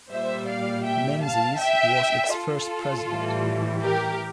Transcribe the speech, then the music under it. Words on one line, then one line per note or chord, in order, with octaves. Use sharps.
Menzies was its first President.
A#2 G3 C5 E5
D5 F5
E5 G5
F5 A5
E5 G5
F4 A4
A2 E3 G3
G4 A#4